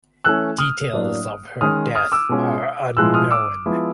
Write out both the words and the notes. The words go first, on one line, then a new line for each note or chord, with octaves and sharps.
Details of her death are unknown.
E3 A3 C#4 E6 F#6
D#6 F6
A2 F#3 A#3 D4
D#3 G#3 C#4 D#6 F6
D#6 F6
D6 E6
B2 G#3 C#4 F4
A2 F3 G#3 B3 E4 E6 F#6
D#6 F6
D6 E6
F3 G#3 B3 E4